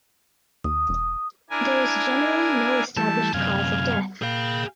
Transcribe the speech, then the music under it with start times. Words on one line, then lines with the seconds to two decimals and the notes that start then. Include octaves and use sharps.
There is generally no established cause of death.
0.64 D#2 D#6
0.89 E1
1.50 D4 E4 A#4 G#5
2.97 E3 G3 A3 A5
3.34 F#2 C3 F5 G#5
4.22 A#2 G#4 F5 G5